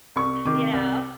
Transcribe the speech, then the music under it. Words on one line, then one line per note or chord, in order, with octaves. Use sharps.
You know?
C2 C#6
C3 D#3 D6
C2